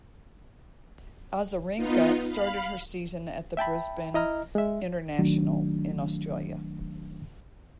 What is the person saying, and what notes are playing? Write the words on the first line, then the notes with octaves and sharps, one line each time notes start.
Azarenka started her season at the Brisbane International in Australia.
B3 D#4 F4
F5 B5
E5 G5 A5 B5
E4 D#5 A#5 F6
G#3 E5
D#3 F#3 A3 D4